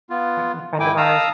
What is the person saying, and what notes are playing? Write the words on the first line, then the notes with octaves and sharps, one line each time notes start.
the friend of ours
B3 F4
G#2 E4 G5 G#5 D6
F5 A5 A#5 D#6 E6